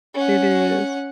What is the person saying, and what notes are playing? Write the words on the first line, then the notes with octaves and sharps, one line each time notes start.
It is.
C#4 F#5